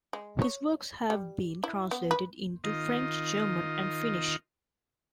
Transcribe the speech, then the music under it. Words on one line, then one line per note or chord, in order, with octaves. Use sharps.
His works have been translated into French, German and Finnish.
G#3
C#5
G3
E4
B3
B4
D#3 F4 D#5